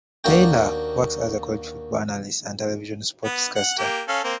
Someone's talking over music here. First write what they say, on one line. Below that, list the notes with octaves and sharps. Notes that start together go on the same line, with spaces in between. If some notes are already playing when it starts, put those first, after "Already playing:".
Taylor works as a college football analyst and television sportscaster.
D#2 A#3 D4 F#4 G5
B3
F#5
A#3 G4
C#4 A4 F5
A#3 C4